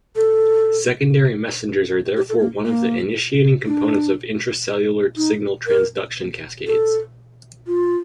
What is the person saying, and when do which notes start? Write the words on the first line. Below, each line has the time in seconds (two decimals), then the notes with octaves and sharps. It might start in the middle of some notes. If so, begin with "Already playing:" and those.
Secondary messengers are therefore one of the initiating components of intracellular signal transduction cascades.
0.16 A4
2.16 G4
2.29 A4
2.41 A#3
2.66 A#3
3.66 D4
5.17 D#4
5.67 A#4
6.67 A4
7.67 F4